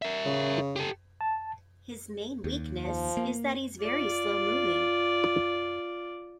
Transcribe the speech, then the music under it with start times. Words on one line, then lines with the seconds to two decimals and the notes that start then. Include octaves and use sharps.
His main weakness is that he's very slow moving.
0.02 A#4 E5
0.25 C#3
0.76 G4 A4
1.21 A5
2.44 D#2
2.85 F3
3.17 A#3
3.81 F4 D5